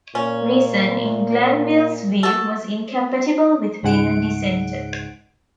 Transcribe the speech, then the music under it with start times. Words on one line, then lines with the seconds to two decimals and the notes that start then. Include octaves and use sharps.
Reason, in Glanvill's view, was incompatible with being a dissenter.
0.15 A#2 C#4
2.23 F#4 A4
3.83 C#2 G#2 G#3 F#5 D7